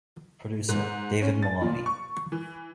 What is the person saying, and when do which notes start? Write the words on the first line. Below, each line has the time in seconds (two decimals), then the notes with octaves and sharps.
Producer: David Maloney.
0.69 G#2
1.22 C#4
1.42 A6
1.61 A#2
1.86 C#6
2.32 E3